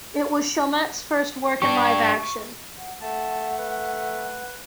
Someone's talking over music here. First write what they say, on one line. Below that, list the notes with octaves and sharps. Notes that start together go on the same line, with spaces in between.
It was Chomet's first work in live action.
D4 G4 C#6
F#5
A3 F#5 A5
B4